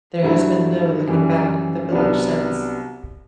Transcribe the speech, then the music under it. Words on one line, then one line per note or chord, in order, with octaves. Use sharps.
There has been no looking back for the village since.
G2 F#3 A3 E4
F#2 E3 G3
C2 C3 F#3 B3 D4